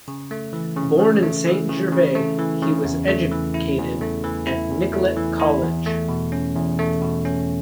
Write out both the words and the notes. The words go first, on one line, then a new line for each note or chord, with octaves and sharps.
Born in Saint Gervais, he was educated at Nicolet College.
C#3
A3
E3
C#3
C#3
A3
E3
C#3
C#3
A3
E3
C#3
E2
A3
E3
E4
E2
A3
E3
E4
E2
A3
E3
E4
E2
A3
B2
C#4
E2
A3
B2
C#4